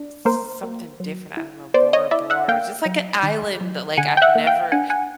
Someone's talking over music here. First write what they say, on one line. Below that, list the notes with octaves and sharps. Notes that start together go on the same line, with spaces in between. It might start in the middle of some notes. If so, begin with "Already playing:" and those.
s something different. I don't know, Bora Bora. Just like a island that, like, I've never
Already playing: D4
A#3 A#4 C5
A#3
F#3
E4
B3 C5 D5
C#5 D#5
E4 D5 E5
E5 F#5
A#3 F5 G5
F#3
D#3
F#3
D3 F#5 G#5
G5
E5 F#5
A#3
F5 G5
D4 F#5 G#5
F#5 G#5